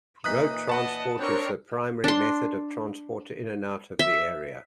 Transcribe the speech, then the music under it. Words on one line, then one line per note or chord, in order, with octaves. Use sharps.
Road transport is the primary method of transport in and out of the area.
A#2 E3 D#4 D#6 F#6 B6
B4 D#5 F#5 A5
C4 D4 A#4 C#5 C#6
D4 C6
E5